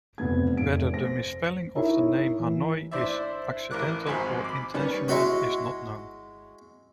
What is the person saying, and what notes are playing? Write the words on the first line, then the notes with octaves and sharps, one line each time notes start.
Whether the misspelling of the name Hanoi is accidental or intentional is not known.
F1 C3 B3 G#6
F1 A3 D7
C5 A#6
D#4 E4 A#4 C#5 E5
E3
D4 E4 C5 D5 E5
A1 A#4 D6 F#6
G#1 G#2 F3 G#4 B5 C6
B5 D6
D#3 G3 C#4 B4
G#3 E4 F#4 C#5